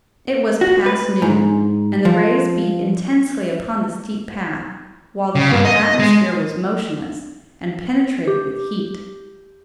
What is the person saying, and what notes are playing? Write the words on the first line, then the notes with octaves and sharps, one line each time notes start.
It was past noon, and the rays beat intensely upon the steep path, while the whole atmosphere was motionless, and penetrated with heat.
F#4
B4
G#2
F3
C#3
G2
D#5
G#3
G4